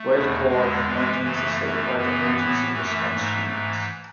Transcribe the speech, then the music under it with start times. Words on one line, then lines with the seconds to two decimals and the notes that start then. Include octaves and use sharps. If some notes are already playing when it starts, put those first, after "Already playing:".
RailCorp maintains a statewide Emergency Response Unit.
Already playing: A3
0.10 E2 B2
0.47 E2 D3 G#3
0.84 F#2 E3
1.22 F#2 C#3 E3 A3
1.59 F#2 E3
1.96 F#2 C#3 E3 B3
2.34 A2 E3
2.71 F#2 E3 A3
3.09 G#2 E3
3.46 G#2 E3